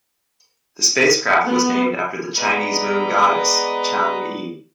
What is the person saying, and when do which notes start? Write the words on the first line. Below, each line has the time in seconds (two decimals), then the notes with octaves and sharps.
The spacecraft was named after the Chinese Moon goddess, Chang'e.
1.47 B3
2.37 G#3 B3 B4 D5 D#5 A#5